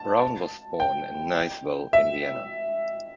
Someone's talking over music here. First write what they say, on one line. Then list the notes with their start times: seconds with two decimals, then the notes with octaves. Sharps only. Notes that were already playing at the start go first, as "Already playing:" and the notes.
Brown was born in Nyesville, Indiana.
Already playing: A5
0.80 G5
1.93 E5